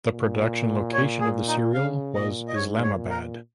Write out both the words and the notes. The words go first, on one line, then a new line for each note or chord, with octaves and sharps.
The production location of the serial was Islamabad.
A#2
C#5
G#4
D#4
C#3 F5
A#2 D#5
D#5
G#2 C#5
C#5
A#2
A#4